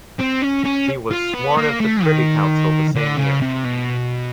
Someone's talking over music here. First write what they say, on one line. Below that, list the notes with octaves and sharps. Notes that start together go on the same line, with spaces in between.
He was sworn of the Privy Council the same year.
C4
C#4
C#4
F4
B3
A#3
A3
D#3
D3
C#3
C3
B2